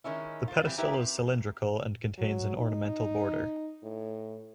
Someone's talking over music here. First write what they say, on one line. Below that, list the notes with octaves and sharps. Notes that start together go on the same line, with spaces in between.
The pedestal is cylindrical and contains an ornamental border.
D#3 G#3 C#4 E4
F4 C5
E3 G3 C4
D#4 E4 G4 A#4 B4
C4
F#3
D#4
A2